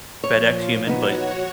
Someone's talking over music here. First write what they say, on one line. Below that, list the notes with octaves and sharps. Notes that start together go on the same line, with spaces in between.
FedEx human, but
A#2 F3 C#5
B3 D#4 F#4 C#5 F#5